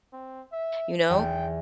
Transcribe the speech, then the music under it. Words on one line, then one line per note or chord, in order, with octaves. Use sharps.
you know?
C4
E5
E2 G5